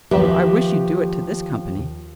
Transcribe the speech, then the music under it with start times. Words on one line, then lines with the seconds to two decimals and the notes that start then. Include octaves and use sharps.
"Oh, I wish you'd do it to this company."
0.11 D#2 F3 G4 B4 E5